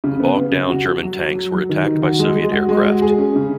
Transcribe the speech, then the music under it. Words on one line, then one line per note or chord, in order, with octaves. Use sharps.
Bogged down German tanks were attacked by Soviet aircraft.
C#3
B3
C#3
C#3
F#4
F#4
F#3
F#3
F#3
F#3
D#3
D#3
F#4
G#3
G#3
F#4
G#3
F#4
G#4
C#4
C#3